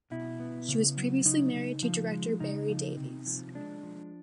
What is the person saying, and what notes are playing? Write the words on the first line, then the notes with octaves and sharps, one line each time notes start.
She was previously married to director Barry Davies.
B2 E4
B3
C#3
F#3
C#3 D#4
C#3
F3
G#3
C#3 D#4
F3
C3
F3
G#3 D4
F3